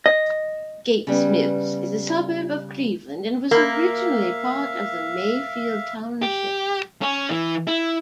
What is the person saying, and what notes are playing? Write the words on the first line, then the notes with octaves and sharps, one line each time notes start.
Gates Mills is a suburb of Cleveland and was originally part of Mayfield Township.
D#5
C#3 G3 B3
A#3 E5 F5
G4
C#4
E3
E4